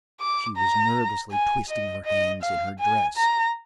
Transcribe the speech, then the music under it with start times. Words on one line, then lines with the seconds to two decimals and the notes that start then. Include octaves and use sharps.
She was nervously twisting her hands in her dress.
0.21 D6
0.57 A#5
1.32 G#5
1.69 D#5
2.06 D#5
2.43 F5
2.80 G#5
3.17 A#5